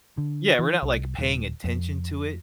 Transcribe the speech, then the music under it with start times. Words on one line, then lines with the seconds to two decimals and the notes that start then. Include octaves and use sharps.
Yeah, we're not, like, paying attention to it
0.18 D3
0.59 E3
0.82 C2
1.18 D#1
1.64 F2